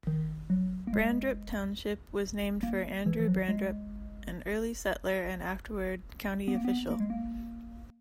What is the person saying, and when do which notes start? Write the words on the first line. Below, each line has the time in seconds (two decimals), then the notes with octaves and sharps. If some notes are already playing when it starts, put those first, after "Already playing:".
Brandrup Township was named for Andrew Brandrup, an early settler and afterward county official.
0.07 D#3
0.50 F#3
0.87 A#3
0.93 G#3
2.63 A#3
3.06 E3
3.20 E3
3.28 F#3
3.48 G#3
6.48 B3
6.55 A#3
6.65 B3
6.90 A#3
7.00 G#3
7.10 A#3